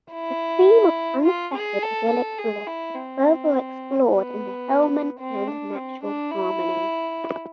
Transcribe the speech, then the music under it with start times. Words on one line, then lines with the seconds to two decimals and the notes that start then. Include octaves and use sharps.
The theme of unfettered idyllic bliss is further explored in the Hillman-penned "Natural Harmony".
0.13 E4
1.25 F4
1.54 G#4
1.82 A4
2.09 A4
2.38 G#4
2.66 E4
2.94 C4
4.07 B3
5.20 C4
5.47 D4
5.75 C4
6.04 D4
6.32 E4